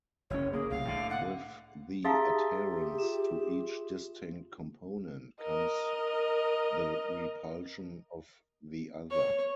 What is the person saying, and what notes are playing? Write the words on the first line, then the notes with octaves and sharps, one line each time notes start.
With the adherence to each distinct component, comes the repulsion of the other.
F#1 C#4 C#5
A#3 G#4
C2 F5
A2 D3
F#5
D#4 G4 G#4 E5 F5 A#5 C6 A6
F4 E7
A#4 D#5
C#5